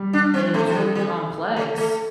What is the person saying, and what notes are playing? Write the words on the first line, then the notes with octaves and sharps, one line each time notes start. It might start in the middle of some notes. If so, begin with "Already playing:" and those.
and it was really complex.
Already playing: G3
D4
C4
A3 C4
F3
G3
G3
A3
A3